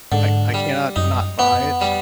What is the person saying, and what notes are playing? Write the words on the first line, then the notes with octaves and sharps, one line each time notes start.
I I cannot not buy it,
G#2 D3
G3
F#2 D#4
G2
B3
F2
G3